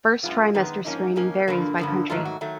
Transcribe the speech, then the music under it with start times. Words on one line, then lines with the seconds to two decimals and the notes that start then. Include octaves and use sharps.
First trimester screening varies by country.
0.23 F#2 D#3 G#3 B3 F4
0.54 F#2 D#3 G#3 B3
0.85 G#2 F3 A#3 C#4 D#4
1.16 G#2 F3 A#3 C#4
1.48 G2 D3 F3 A#3
1.78 G2 D3 F3 A#3
2.10 G#2 D#3 F#3 A3 F4
2.25 F#4
2.41 D#3 F#3 A3